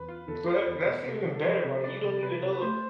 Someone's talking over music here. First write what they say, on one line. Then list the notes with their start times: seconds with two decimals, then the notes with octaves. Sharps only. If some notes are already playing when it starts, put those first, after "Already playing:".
That that's even better, like, you don't even know
Already playing: E2 B4
0.08 F4
0.28 E2 A4
0.48 F4
0.67 E2
0.86 B2
1.06 C3 A4
1.25 G#3
1.34 A4
1.44 F3 B4
1.64 C3
1.84 C3 D5
2.04 C3
2.23 C3 B4
2.43 C3
2.52 B4
2.61 A3 C5